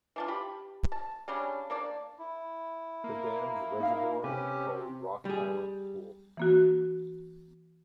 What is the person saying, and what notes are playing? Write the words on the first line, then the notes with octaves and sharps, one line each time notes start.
The dam's reservoir is called Rock Island Pool.
E3 D4 F4
G4 B5
A5
C#3 G3 C#4 D4
A#3 D4 D5
E4
A#3
D#4 F5
C3 C#4 G4 B4
G3 G#4
E3 A#3 F#4